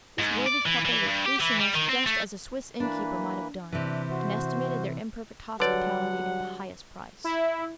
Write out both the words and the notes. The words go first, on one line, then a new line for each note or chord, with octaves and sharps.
This worthy couple were fleecing us just as a Swiss innkeeper might have done, and estimated their imperfect hospitality at the highest price.
G#2
D5
E3
E3
G2
G4
E3
G3
D#3
C4
A3
E3 A#3 D4 B4
C3 E3 D4 F#6
F#4 C5
D3 F#3 G3 B4 C#5 D5 F#5
E4